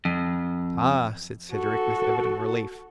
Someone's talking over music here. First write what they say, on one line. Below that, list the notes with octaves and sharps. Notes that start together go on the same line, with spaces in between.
"Ah!" said Cedric, with evident relief.
F2
F#4 A4